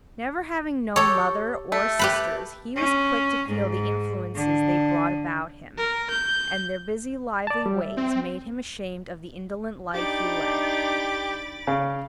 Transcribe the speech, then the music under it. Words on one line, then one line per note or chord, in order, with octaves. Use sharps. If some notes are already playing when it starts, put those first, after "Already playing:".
Never having known mother or sisters, he was quick to feel the influences they brought about him, and their busy, lively ways made him ashamed of the indolent life he led.
G4 A4 C#5
A3
G4 B4 B5
C#4
G#2
D3
A#4
G6
D5 A5
G3
E5
C4
D4 D#4 G4 B5 D6 A6
C#3